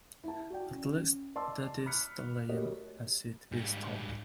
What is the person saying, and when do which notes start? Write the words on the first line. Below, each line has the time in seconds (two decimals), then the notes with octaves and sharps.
At least that is the legend as it is told.
0.24 E4 A5
0.50 F#4 D5 G5
0.71 C#4
1.35 D5 D#5 A5 C6 D6 E6
1.86 B5 F6 F#6 B6 C#7
2.49 A3 F#4 G4 A#4 C#5 D#5
3.52 G#2 G3